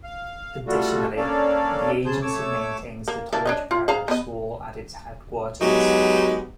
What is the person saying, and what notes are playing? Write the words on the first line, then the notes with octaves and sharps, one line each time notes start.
Additionally, the agency maintains the Torch Bearers Wall at its Headquarters.
F5
G3 A3 F4 F#4 A4
A#3 C#4 D4 A4 D5 F5
C#3 G#4 C5 A5 G6
A3 C#5 D6 E6
A#3
E3 A#3 D4
D4 C#5 D#5
F4
G#4 F5 A#5
B3 D#5
F#3 G#3 B3 D#4 F#4 G4